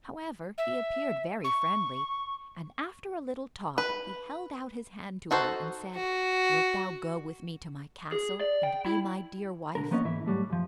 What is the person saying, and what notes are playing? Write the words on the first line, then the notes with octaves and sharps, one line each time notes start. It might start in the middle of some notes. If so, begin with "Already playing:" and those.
However, he appeared very friendly, and after a little talk he held out his hand to her, and said, "Wilt thou go with me to my castle and be my dear wife?"
E5
C#6
B4
D#4 F#4 A4 C5
F#4
G#4
D5
G5
E4
B1 D3 A#4
F3 A#3 B3 C#4 A4 D#5
G#2 E3 E4 E5
G#2 F#3 G3 A3
F#2 F3